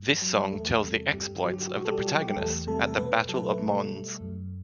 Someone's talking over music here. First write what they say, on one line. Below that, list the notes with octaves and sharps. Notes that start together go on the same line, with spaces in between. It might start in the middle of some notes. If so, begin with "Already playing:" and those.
This song tells of the exploits of the protagonist at the Battle of Mons.
Already playing: G2
F#3
E2 A3 A4
C3 G3
G2 G3 G4
D3 F#3 F#4
G4
F#4
G4
B2 F#4
A4
G3 G4
F#3 F#4
G3 G4
E2 A3 A4
C3 G3 A3 A4
A4
B2 B3 B4
F#3 A4
B4
A3 A4
B2
G3
F#2